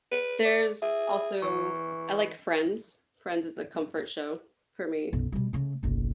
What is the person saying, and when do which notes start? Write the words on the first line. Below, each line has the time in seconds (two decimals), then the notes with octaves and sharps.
There's also I like Friends, Friends is a comfort show for me.
0.12 B4
0.45 D5
0.82 G#4 E5
1.42 E3 C#6
5.13 B1 F#2
5.32 B2 G3
5.53 C#3 A3
5.83 F#1 B1